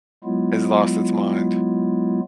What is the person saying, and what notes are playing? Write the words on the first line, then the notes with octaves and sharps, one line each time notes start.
has lost its mind.
F#3 G#3 B3 E4 F4